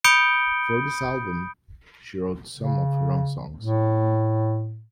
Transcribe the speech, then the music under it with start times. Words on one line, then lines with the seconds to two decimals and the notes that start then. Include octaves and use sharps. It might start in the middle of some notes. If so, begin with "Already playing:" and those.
For this album she wrote some of her own songs.
0.04 B5 D#6 G6 C#7 D7 G7
2.57 C#3
3.57 A2